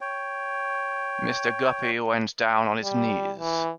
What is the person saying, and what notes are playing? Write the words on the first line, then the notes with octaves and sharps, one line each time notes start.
Mr. Guppy went down on his knees.
C#5 G5
G3
E3